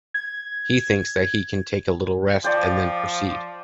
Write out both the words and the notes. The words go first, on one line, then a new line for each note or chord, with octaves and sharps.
He thinks that he can take a little rest and then proceed.
G#6
F3 D5 G5